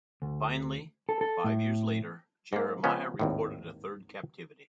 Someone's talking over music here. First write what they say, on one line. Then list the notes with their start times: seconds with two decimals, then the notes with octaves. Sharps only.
Finally, five years later, Jeremiah recorded a third captivity.
0.22 D2
1.09 A4
1.21 A4
1.44 A2
2.53 G#2 A#3
2.84 C#3 F3 G#3 B3 C#4
3.19 G#1 D#2 A2